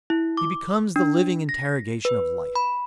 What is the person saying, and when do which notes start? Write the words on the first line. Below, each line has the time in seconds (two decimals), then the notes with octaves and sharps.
He becomes the living interrogation of life.
0.10 E4
0.37 D6
0.96 D4
1.49 A#6
2.05 B4
2.55 B5